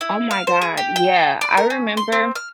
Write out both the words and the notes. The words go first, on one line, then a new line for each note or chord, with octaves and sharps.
Oh my god, yeah, I remember
E4
F5
C5
G#4
G4
G5
D5
A#4
C#4
C6
C4
F6